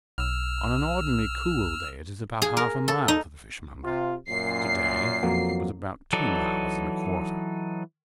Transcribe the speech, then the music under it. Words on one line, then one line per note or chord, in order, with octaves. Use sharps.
On an ordinary cool day it is about half a mile to the fishmonger; to-day it was about two miles and a quarter.
B1 E6 F6
G#4
A#4
A4
D#4
C3 F4
F#2 A#2 C7
F2 F#3 A#3
E3 F#3 D#4 A4 D5